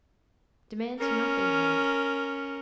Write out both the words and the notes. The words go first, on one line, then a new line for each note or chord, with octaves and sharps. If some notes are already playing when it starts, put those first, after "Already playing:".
Demand nothing more.
C#4 A#4